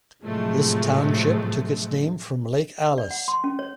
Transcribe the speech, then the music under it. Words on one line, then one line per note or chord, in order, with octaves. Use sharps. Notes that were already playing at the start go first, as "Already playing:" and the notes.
This township took its name from Lake Alice.
A2 C3 F3 F#3 G#3 A3
D5
F#5
C6
C#4
C#5